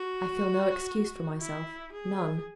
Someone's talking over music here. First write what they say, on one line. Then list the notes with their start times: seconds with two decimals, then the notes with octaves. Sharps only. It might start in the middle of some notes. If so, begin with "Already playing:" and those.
I feel no excuse for myself, none.
Already playing: F#4
1.40 E4
1.93 G#4